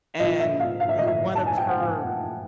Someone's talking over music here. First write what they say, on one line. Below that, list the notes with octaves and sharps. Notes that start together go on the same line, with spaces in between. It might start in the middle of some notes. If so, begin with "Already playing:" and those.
and her one of her
A#2 F3 D#5
E5
F5
F5
E5
A#2 F3 D#5
E5
A5
G#5
G5
F#5
A#2 F3 F5